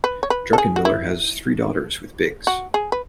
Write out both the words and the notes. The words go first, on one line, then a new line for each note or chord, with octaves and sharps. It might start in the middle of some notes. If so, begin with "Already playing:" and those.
Druckenmiller has three daughters with Biggs.
B4
C#5
B4
A4
G#4
F#4
E4
F#4
G#4
B4